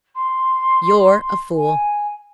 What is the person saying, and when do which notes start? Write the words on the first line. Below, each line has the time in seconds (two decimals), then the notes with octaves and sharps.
You're a fool.'
0.15 C6
1.56 G#5